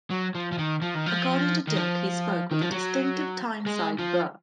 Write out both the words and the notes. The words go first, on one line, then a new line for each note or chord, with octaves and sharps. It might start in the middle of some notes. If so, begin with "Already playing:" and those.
According to Dilke he spoke with a distinctive Tyneside burr.
F#3
F3
F3
D#3
F3
D#3
F3
D#3
F3
D#3
F3
F#3
G#3
F3